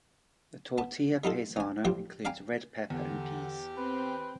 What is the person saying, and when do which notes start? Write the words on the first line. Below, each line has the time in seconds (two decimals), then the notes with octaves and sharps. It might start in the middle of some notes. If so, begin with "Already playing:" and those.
The "tortilla paisana" includes red pepper and peas.
0.78 B3 A5
1.24 G3 D#4 F4 A4
1.56 C#4 G#5
1.85 A1 F3 G3 C5 D6
2.25 D5 F5 G5 G#5 A#5 D6
2.90 E2 D3 G4
3.77 C4 B4